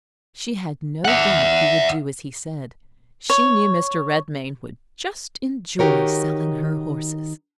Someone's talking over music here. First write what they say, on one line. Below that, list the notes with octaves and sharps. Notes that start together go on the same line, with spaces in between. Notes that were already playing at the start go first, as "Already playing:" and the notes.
She had no doubt he would do as he said; she knew Mr. Redmain would just enjoy selling her horses.
E5 F#5
C#5
D#3 D#4 F#4 G4 A#4 C#5